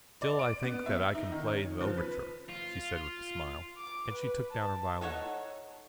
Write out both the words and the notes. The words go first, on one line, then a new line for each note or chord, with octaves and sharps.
"Still I think that I can play the overture," she said with a smile, and she took down her violin.
D5
D7
B3
E5
D#4
D#3
C#4
F3
B4
F4
D6
B4
A5
D#4 A4 C#5 E5 F#5